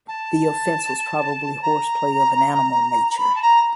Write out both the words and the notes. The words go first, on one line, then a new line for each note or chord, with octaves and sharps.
The offense was probably horseplay of an animal nature.
A5
A#5
B5
A5
A#5